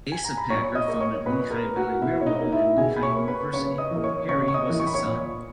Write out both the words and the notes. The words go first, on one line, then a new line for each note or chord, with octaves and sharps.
Asa Packer founded Lehigh Valley Railroad and Lehigh University; Harry was his son.
G#5
A#5
B5
A#2 C#5 C#6
D#5 D#6
A#3
C#5 C#6
A#2 B4 B5
A#4 A#5
A#3
F#4 F#5
B2 E4 E5
C#5
D#4 D#5
A#3
E4 E5
B2 G#4 G#5
B5
C#5 C#6
A#3
B4 B5
C#3 C#5 C#6
D#5 D#6
E3 A#3
C#5 C#6
C#3 C#5 C#6
C#6
D#5 D#6
E3 A#3
C#6
B5
C#5 C#6
A#2